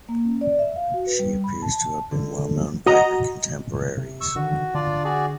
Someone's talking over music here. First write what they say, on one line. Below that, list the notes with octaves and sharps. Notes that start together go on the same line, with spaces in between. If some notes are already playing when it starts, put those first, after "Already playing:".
She appears to have been well known by her contemporaries.
A#3
C#4
D5
E5
F5
F#4
B4
G3
B5
A5
D3
F#4 D#5 A#5
C3
C#6 E6
D3 D#3 F#4
D3 D4 F4 D5
F#4 G#4 D5